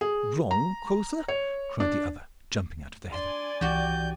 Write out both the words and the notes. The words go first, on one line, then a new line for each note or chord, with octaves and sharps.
"Wrong, quotha?" cried the other, jumping out of the heather.
G#4
A#5
C#5
D4
D4 D5 G#5 C6
C2 E3 F#4 G4 G6